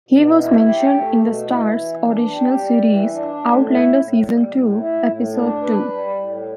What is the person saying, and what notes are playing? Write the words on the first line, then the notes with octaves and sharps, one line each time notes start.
He was mentioned in the Starz original series, Outlander season two, episode two.
B2
E4
G4
A3
B2
E4
E3
D4
G4
G3
E3
D4
A2
E4
A2
G3
A2
E4
A2
D4
B4
G3
A2